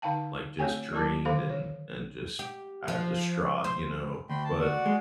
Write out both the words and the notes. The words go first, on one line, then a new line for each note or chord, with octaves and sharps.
like, just drained and and just, ah, distraught, you know? But,
D3 D#4 F5 G5 A5
A3 C4 F#4 C#5 G5 G#5
F#3 E4 A#4 A5 D6
D3 D#3 A4 C5 F5 D6
C#5
G4
F3
C5
D2 G5 B5 C6
A5
F#4 D5 F#5
G#3